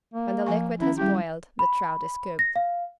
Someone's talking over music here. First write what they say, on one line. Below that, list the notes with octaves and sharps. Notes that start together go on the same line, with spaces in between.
When the liquid has boiled the trout is cooked.
A#3
F3 G#5 C#6
D#3 C#4 E4
G3 C#4 E4 G4
B5
A#6
F5